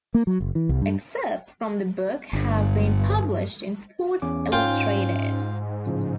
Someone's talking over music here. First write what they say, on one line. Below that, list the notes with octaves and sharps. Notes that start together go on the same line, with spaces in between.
Excerpts from the book have been published in "Sports Illustrated".
A#3
F#3
F#1
E3
C2
G2
G1 G2
E2 C#4 D6
G#2 C#4 F4 G5
A2 C#3 F3